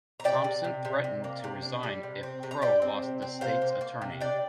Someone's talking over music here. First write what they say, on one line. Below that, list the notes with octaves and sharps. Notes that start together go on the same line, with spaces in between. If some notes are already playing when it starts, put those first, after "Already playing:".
Thompson threatened to resign if Crowe lost the state's attorney.
A#5
C3 D5 G5
C3
C3
C3
C3
A#3
C3
D4
G3
C3
C4
C3
A#5
G3 D5 G5
C4
C3
C4
C3 C5 F5
A#3
A#3
C3
D4 D5 G5